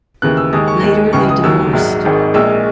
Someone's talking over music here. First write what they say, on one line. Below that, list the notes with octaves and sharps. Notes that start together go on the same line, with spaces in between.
Later they divorced.
D#2 C#3 E3 F#6
E6
D#2 D#3 G#3 D#6
C#6
D#2 D#3 G#3
C#2 C#3 E3 G#3 C#6
D#6
D#2 D#3 F#3 E6
A#1 G#2 F#3
G#1 G#2 D#3 G#3
A#1 A#2 G#3 E6